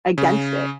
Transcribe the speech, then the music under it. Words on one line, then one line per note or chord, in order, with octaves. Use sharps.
against it.
C#3